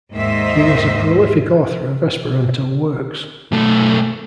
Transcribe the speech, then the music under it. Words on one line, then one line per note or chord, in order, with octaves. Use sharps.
He was a prolific author of Esperanto works.
D#2 G#2 D#3 C5 D#5 E5
B1 A3